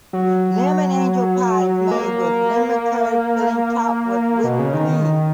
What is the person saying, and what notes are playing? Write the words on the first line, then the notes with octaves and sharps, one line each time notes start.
Lemon angel pie is made with lemon curd filling topped with whipped cream.
F#3
A#3
B2
C#3
D#3